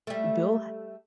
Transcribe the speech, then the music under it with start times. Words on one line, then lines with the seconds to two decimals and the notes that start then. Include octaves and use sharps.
Bill H
0.07 G3 A3